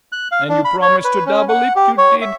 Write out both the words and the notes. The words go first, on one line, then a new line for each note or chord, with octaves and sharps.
And you promised to double it--you did!
F#6
F5
D4
B5
C#5
B4
C#4
F#5
G4
C#5
E5